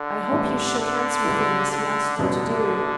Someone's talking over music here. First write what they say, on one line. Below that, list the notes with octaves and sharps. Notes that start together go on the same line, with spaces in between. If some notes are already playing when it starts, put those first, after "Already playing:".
"I hope you shook hands with him as he asked you to do?"
Already playing: D3
A2 E3 G3 B3
D3
C#2 C#3 G3 B3 E4
D3
F#1 E2 B2 D3 G3 C#4